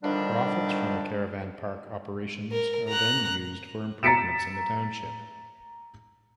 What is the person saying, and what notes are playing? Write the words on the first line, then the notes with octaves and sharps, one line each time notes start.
Profits from the caravan park operations are then used for improvements in the township.
D3 D#3 F3 G3 D4
A#4
A#5 F#6
A#5 A6 B6 C#7 D7 E7